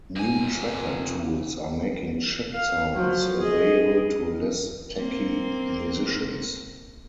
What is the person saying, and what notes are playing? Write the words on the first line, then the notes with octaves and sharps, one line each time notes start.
New tracker tools are making chip sounds available to less techy musicians.
F2 G#5
F5
F3 F#3
G#4 D#5
A#3 C4